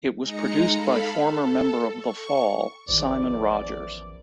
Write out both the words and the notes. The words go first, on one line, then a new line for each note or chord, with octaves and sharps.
It was produced by former member of The Fall, Simon Rogers.
G#3 D#4 A#5 C#7
A4 F5 B5
A4
C#6
A1 E2 D#3 F3 C5 D5